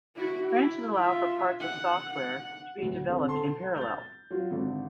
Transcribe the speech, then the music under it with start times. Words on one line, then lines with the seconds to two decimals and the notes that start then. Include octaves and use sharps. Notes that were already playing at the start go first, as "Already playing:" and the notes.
Branches allow for parts of software to be developed in parallel.
0.16 E4 F#4
0.52 E4
0.96 F4 E5
1.61 F#5
2.14 F#5
2.78 D2 F#3
3.08 D3 C4
3.28 A4 A5 C6
3.77 G6 A6
4.31 F#3 F4
4.51 G#1 D3